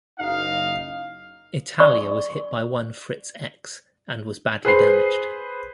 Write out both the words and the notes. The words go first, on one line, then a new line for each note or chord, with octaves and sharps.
"Italia" was hit by one Fritz-X and was badly damaged.
F#1 D#4 F5
D5 C#6
G#4 B4 C5 C7